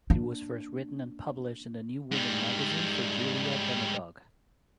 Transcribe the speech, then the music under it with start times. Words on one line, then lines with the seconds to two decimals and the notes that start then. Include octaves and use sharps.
It was first written and published in "The New Woman" magazine for Julia Demagogue.
0.10 A#3 D4
2.11 G#2 G3